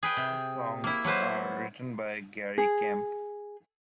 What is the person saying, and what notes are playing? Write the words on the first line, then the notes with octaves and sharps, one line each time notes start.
All songs are written by Gary Kemp.
G#4 B4 G5
C3
A#3 E4
F#3 A#3 B4 C5
G#4